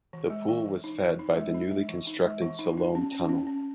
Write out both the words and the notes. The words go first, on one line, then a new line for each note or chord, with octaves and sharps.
The pool was fed by the newly constructed Siloam tunnel.
E3
G#3
E3
E3
D#4
E3
D#4
G#3
D#4
G#3
E3
D#4
G#3
E3
D#4
D#4
C#4
C#4
C#4
C#4